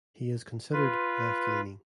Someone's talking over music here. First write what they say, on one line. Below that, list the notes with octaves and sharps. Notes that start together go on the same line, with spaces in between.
He is considered left-leaning.
F4 B4